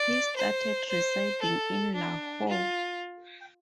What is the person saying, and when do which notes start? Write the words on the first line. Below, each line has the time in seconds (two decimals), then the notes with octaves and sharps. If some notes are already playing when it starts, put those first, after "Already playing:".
He started residing in Lahore.
Already playing: D5
0.37 C5
0.90 C5
1.43 A4
1.96 D4
2.49 F4